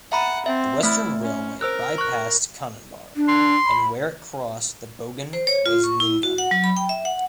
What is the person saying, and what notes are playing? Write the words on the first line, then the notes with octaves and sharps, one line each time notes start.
The Western Railway by-passed Canonbar, and where it crossed the Bogan was Nyngan.
E5 F#5 A#5 B5
C4 E5
A3 E4 E5 F6
C#4
A#4 C5 E6 F#6
C#6 F#6
D4
C6
B5
C5
C#5
F4
C#6
E4
F#4
F#5
F#3
B5
G5
E5
F#5